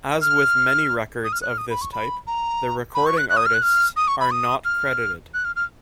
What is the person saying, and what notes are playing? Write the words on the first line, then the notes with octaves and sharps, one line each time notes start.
As with many records of this type, the recording artists are not credited.
F6
D#6
F6
F#6
F6
D#6
B5
C#6
B5
A#5
B5
C#6
F#6
F#6
D#6
F6
F#6
F6
D#6
C#6
B5
D#6
F6
F#6
F6
F6